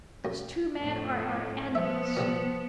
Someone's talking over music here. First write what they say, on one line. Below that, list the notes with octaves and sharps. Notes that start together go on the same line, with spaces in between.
Those two men are our enemies.
F#2
F2 A2
F3 B3 E5
C2 A#2